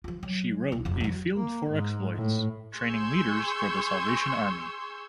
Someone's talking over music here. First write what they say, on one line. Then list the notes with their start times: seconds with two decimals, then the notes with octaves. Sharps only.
She wrote "A Field For Exploits: Training Leaders For The Salvation Army".
0.04 F3 F4
0.23 F#3
0.72 B1 E4
0.85 F1 F3
1.00 E3 F#3
1.36 A#3
1.70 G#2
2.15 A2
2.76 G#4 C6 C#6 E6 G6 G#6